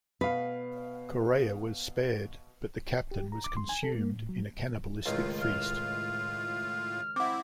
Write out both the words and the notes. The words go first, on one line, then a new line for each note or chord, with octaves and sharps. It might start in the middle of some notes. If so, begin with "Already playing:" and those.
Correia was spared but the captain was consumed in a cannibalistic feast.
B2 B4 F5
G4
A#5
D6
C6
G#5
A4
A#3
A2
F#3
C#2 A2 D#3 F4 F5
F6
C4 E4 F#5 D6